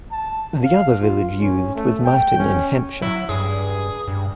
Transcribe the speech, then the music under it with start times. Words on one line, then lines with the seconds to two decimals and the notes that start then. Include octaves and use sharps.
The other village used was Martin in Hampshire.
0.12 A5
0.63 F5
1.02 F4
1.37 C#4
1.75 A3
2.05 G5
2.38 C#4
3.02 F#3 E4
3.29 G2 G#4
4.08 G2